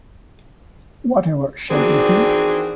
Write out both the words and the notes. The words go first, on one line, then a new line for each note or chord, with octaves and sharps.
Whatever shall we do?
D#3 E3 C4 D4 F#4 G#4